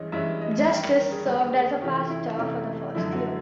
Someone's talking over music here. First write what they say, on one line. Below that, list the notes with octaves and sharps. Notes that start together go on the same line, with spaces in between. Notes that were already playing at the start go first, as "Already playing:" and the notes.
Justice served as pastor for the first year.
Already playing: G2 E3 G#3 C#4 D#5
G2 E3 G#3 C#4 E5
D#5
G2 D#3 G3 D5
A#4
A#4
G#4
G2 D#3 G3
G#4
C3 E3 A3 C#4 G4
F4
E4
D#4
C3 E3 A3 C#4 D#4
F#2 D3 F3 E4
F#4